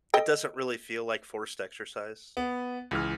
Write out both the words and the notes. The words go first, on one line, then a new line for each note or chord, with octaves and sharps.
it doesn't really feel like forced exercise.
A4 D#5 G5
B3
C#2 E3 F6